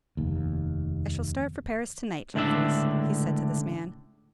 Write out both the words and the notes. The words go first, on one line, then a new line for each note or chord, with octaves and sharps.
"I shall start for Paris to-night, Jeffreys," he said to this man.
F1 D#2
C#2 A2 D3 D4 E5